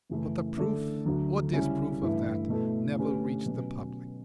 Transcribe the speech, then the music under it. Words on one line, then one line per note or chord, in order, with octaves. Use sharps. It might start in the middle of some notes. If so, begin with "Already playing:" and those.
But the proof or disproof of that never reached the public.
F#2 C#3 E3 A3 E4
D3 A3 D4 A4
D2 D3 F#3
C#3 G3 C#4 E4
G2 E3 A3 E4
B2 A3 E4 A4
D3 A3 C#4 G4 B4
B2 F#3 C#4